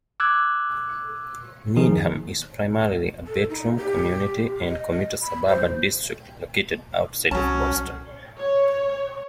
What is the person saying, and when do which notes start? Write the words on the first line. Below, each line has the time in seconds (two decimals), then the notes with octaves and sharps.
Needham is primarily a bedroom community and commuter suburban district located outside of Boston.
0.20 D6 E6 F#6 G#6
1.76 D#3 F3 D#4 G#4
3.28 A4
3.50 D#4
3.77 G4
4.68 D#5
5.21 B5
5.48 C5
7.31 C2 F#3 C#4 A5
8.36 C#5